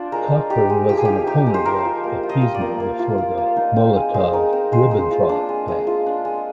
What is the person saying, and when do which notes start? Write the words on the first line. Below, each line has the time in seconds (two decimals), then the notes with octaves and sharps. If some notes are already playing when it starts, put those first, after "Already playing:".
Cockburn was an opponent of appeasement before the Molotov-Ribbentrop Pact.
Already playing: D4 F4 C5 D5
0.12 G#3 A#4
0.31 G#3
0.50 D#4 G4
0.70 G#3
0.89 F3 G4
0.97 G#4
1.05 F3 G4
1.27 D#4 G4
1.46 G#3
1.54 C5
1.66 F3 A#4
1.85 F3
2.04 A#3
2.23 F4
2.29 D#5
2.42 F4
2.54 D5
2.61 A#3
2.80 A#3
2.99 F4
3.18 F4
3.38 A#3
3.56 D#4
3.76 C4
3.95 G#3
4.14 G#3
4.33 D#4 A#4
4.53 C4
4.72 G#3 C5
4.91 G#3
5.11 F4
5.29 D4
5.49 G#3
5.68 G#3
5.87 F4
6.06 D4
6.25 G#3